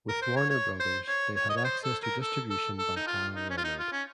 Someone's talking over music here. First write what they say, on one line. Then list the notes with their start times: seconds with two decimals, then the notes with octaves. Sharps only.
With Warner Brothers they had access to distribution by Hal Leonard.
0.09 A#4
0.22 C5
0.36 C#5
0.50 C#5
0.80 C5
1.08 C#5
1.36 C#5
1.50 D#5
1.57 C#5
1.64 C5
1.84 A4
2.03 A#4
2.21 A4
2.50 A4
2.79 A4
2.96 D#4
3.07 F4
3.36 D#4
3.50 C#4
3.58 F4
3.64 D#4
3.79 F4
3.92 C#4